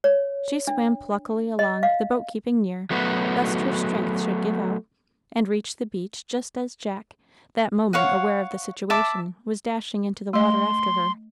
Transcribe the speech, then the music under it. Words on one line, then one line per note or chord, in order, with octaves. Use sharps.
She swam pluckily along, the boat keeping near, lest her strength should give out, and reached the beach just as Jack, that moment aware of the situation, was dashing into the water after her.
C#5
D4
D#5
F5
F#3 A3 B3 F#4
C#5 F5 F#5
E5 A5 D6
A3 D#5 C6